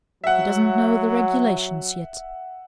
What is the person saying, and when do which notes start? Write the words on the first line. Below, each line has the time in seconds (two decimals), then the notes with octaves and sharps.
He doesn't know the regulations yet.
0.24 F#3 E5 F#5